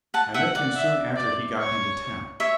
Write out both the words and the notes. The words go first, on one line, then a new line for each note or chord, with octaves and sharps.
I met him soon after he got into town.
F#5 A5
E5 F#5 G5
D5 F#5
E5
D5
C#5
C#5 E5